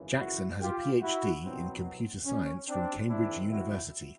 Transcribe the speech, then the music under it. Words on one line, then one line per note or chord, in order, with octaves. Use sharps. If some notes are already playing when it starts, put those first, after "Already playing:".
Jackson has a PhD in Computer Science from Cambridge University.
Already playing: G#1 F#2 C#3 E3
E4 F#4
F4 G4
E4 F#4
C2 B2 F#3 B3 C4
C#4
C4 D4
D#2 D#3 G#3 C4 D4 E4
E4 F#4